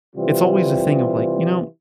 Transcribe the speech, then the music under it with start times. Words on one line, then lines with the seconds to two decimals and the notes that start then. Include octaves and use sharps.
it's always a thing of, like, you know
0.15 C3 E3 G3 C4 F4